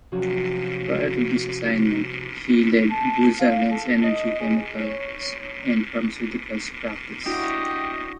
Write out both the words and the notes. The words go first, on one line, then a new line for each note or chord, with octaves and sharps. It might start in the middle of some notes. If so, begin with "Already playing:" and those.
Prior to this assignment, he led Booz-Allen's energy, chemicals and pharmaceuticals practice.
C3 F3 F#3 C#4 F#4
A5
F5
A4
D#5
G#4
C#5
D4 E4 F#4 G4 D#5